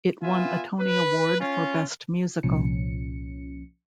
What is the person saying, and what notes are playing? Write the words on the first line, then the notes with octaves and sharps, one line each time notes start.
It won a Tony Award for Best Musical.
B3 F4 E5 G#5
B4
C#4 F4
C2 A#2 F3 C#4 C#7